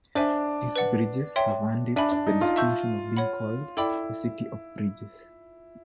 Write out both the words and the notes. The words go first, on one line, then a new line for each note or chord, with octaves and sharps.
These bridges have earned it the distinction of being called the "City of Bridges".
D4 C5 E5 G#5
B4 D5 F#5
C#5 E5 G5 C6
D4 E5 G#5 B5
D4
D#4
F4
E5 A5 C#6 E6 G6
C#5 F#5 B5
E4 A4 D5 G5 B5 D6